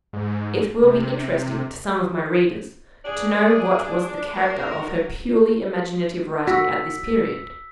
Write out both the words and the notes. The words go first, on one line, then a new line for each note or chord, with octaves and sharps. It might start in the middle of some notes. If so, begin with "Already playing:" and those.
It will be interesting to some of my readers to know what was the character of her purely imaginative writing at this period.
G#2
C3
D4 G#4
F#4 A#4
F#4 E6 B6